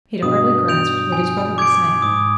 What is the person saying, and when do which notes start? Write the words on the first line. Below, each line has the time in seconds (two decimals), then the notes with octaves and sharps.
He had hardly grasped what his brother was saying.
0.23 G2 B2 D#6
0.68 G6 D7 F7
1.12 G#5
1.58 D6 G#6 D7
2.02 G#2 D#6